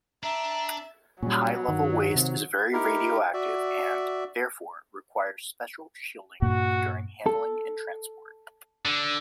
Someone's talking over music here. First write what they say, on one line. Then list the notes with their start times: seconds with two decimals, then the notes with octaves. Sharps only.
High-level waste is very radioactive and, therefore, requires special shielding during handling and transport.
0.23 D4 E5 A#5
1.23 A#2 F#3 G3 C#4
1.68 G2 D#3
2.15 C3
2.73 D#4 E4 G4 A#4
3.34 F#4 D5 E5
6.42 G2 A#2 A#3 F#4
7.26 A4
8.85 D3